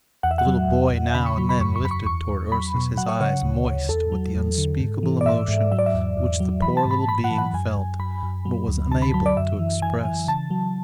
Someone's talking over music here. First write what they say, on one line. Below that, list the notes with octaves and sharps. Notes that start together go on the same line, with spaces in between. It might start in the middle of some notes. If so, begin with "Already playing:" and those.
The little boy now and then lifted towards Ursus his eyes moist with the unspeakable emotion which the poor little being felt, but was unable to express.
E2 F#5
E5
F#5
F#3
E2
E2
C#3 B5
C#6
F#3 B5
B5
F#2 C#6
C#6
F#2 B5
C#6
E2 C#6
E2
F#3 B5
B2
F#3 F#5
C#5
C#3 C#5
D2
D2
E2 A4
F#3
E2
D3
G#2
E3
D5
G#2 E5
G#2
F#3 E5
D5
E5
E2
E2
F#3
E3 B5
A5
G#2
B5
G#2 B5
F#5
E3
F#5
F#2 G#5
F#2
F#2 B5
F#2
F#3
D2
D3 A5
B5
F#3 B5
D5
F#2 E5
E3
E3 G#5
E3
C#3 A5
F#3